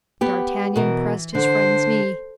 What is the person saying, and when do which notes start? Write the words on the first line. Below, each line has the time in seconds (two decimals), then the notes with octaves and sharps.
D'Artagnan pressed his friend's knee.
0.21 B3 G4
0.76 B2 E3 A#4
1.35 D3 C5